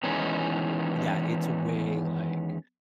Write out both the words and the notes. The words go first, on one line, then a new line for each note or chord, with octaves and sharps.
Yeah, it's way like
E2 D#3 E3 G#3 C#4 D#4